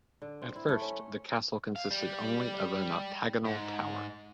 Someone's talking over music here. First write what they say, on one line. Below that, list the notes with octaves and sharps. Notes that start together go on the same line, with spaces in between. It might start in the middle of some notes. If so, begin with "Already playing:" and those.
At first the castle consisted only of an octagonal tower.
D3
C4
E4
A3
C#4
F5
G3
G#2